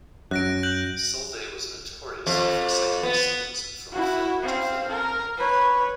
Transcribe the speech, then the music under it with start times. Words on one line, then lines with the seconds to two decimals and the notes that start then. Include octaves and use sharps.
Solvay was notorious for recycling scenes from film to film.
0.31 F#2 F#6 A#6 D7
0.63 F#6 G6 F#7
2.27 F2
3.03 B3
3.91 E4 F#4
4.42 C4 F5
4.88 A#4
5.37 B4 C#5